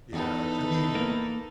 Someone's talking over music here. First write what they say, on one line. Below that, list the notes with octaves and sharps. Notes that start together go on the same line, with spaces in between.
Yeah. I mean
E2 D#4 A4 B4
A#3